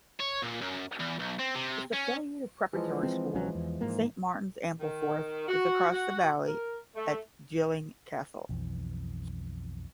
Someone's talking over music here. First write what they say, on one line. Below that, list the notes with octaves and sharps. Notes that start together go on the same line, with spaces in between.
Its affiliated preparatory school, Saint Martin's Ampleforth, is across the valley at Gilling Castle.
C#5
A#2
F#2
E2
B1
C4
C3
C#4
E3 F3 G#3
C4
A#1 F#3 C#4
E2
G#2 A#3
D#3
F#4
F#4
A#4
A3
B1 F2 E3